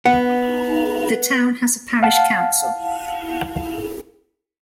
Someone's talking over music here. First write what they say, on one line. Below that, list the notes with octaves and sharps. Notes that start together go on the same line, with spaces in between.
The town has a Parish Council.
B3 F#5
F5 F#5 A5